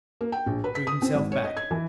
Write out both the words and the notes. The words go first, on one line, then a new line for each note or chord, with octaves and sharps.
Drew himself back.
A#3
G5
A#1
B4
B6
D#6
C4
G#1
C#5
D#5
G#6
E3